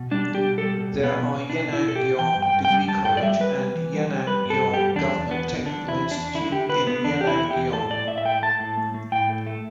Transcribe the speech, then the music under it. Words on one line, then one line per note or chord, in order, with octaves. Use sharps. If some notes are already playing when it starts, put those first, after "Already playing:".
There are Yenangyaung Degree College and Yenangyaung Government Technical Institute in Yenangyaung.
Already playing: B2
G3 D4
G3
G4
B2
G3 A4
B2
B2
B3
B2
B2
B2 D4
B2
E4
B2 A4
G4
B2
E3 G5
G2
G5
G2
G5
G3
G3 A5
G2 G5
D5
G3 E5
G3 B4
G3
E3
G3
G3
G3 B4
G2
A4
G2
G3 G4
E2 D4
E2
E2 B3
D3
D3 D4
E2
E4
E2
D4
E2
D3 E4
D3 G4
D3 B4
D3 B3
E2 D4
E2 G4
E4
D3
G4
E2
A2 A4
A2 D5
A2 E5
E5
A3 G5
A3 A5
A2
A3
A3
A2 G5
A3
A3